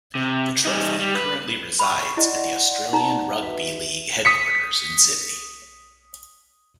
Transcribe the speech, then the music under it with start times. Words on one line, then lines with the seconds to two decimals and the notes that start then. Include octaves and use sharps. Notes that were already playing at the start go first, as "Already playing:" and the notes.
The trophy currently resides at the Australian Rugby League headquarters in Sydney.
0.15 C3
0.65 G3 D#4
0.99 G3
1.15 B4
1.79 B5 C#6
2.17 E4 D5 D#5 F#5 C6
2.38 E5
2.93 D#4 A#5
3.42 F#4 B4 E5
4.25 D#6 B6 C#7